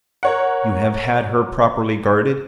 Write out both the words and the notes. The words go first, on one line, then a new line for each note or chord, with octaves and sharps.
"You have had her properly guarded?"
A#4 C#5 F#5